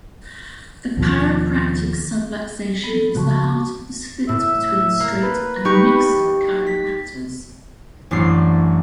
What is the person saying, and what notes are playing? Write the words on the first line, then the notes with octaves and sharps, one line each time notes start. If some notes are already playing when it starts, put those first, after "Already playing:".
The chiropractic subluxation is the heart of the split between "straight" and "mixer" chiropractors.
D#2 B2 F3
B3 A4
C#3 F3 G#3 F#4 A5 C#6
A2 E5
A#3
B4
D#4 G4 C#6
B6
A1 F#2 C#4 D4 A4 C7